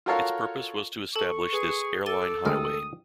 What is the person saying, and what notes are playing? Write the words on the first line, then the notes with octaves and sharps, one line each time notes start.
Its purpose was to establish this "Airline Highway".
F4 F#4 A4 A#4 C#5 F5
A4 A5 C#6
G#4 B4
A4 D6 A6 D#7 G7
D2 G#3 A#4 G5 D#6 F6